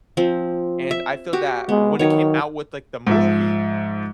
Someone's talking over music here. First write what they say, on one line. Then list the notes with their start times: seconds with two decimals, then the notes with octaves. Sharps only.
and I feel that when it came out with, like, the movie,
0.17 F3 C4
0.91 E5
1.33 F#4 G4
1.69 G#3 B3
1.99 D#3 F#3 C#5
3.07 G#2 F3 E5